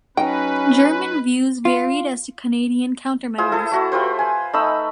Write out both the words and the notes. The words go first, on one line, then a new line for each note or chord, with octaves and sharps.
German views varied as to Canadian countermeasures.
F#3 C#4 D#4 B4 G5
F4
E4 F4 G#4 C5
E4 A4
A3 F#4
F4 G4 B4 C5
G#5
A3 D#4 B5 E6